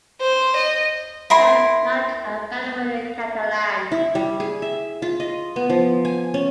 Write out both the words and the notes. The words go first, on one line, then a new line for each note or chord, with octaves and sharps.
That is not available in Catalan.
C5
D#5
E4 A#4 C6
E4
G3
G#4
E5
F4
D#5
B3
F3
G#5
C#4